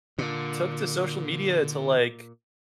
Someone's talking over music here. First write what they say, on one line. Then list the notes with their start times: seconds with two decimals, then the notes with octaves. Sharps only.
took to social media to, like,
0.18 A#2 D3